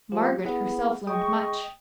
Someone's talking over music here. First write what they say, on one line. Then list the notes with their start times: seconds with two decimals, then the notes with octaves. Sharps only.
Margaret herself learned much.
0.12 F3 G4
0.45 B3 E4 G#4 F#5
1.07 G#3 D#5 G5 C#6 D#6